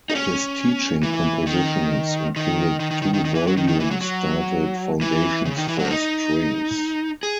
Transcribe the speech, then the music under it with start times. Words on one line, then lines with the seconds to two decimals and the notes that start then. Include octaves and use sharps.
His teaching compositions included two volumes titled "Foundations for Strings".
0.10 D#4
0.15 C#4
1.03 E3
1.47 D#3
2.36 D#3
2.80 D#3
2.91 D#3
3.02 D#3
3.14 D#3
3.25 D#3
3.35 E3
3.47 F#3
3.57 D#3
3.68 D#3
3.80 E3
3.91 F#3
4.01 F#3
5.01 E3
5.46 C#3
5.57 D#3
5.68 E3
5.79 F#3
5.85 C#4
5.91 D#4
7.23 G#4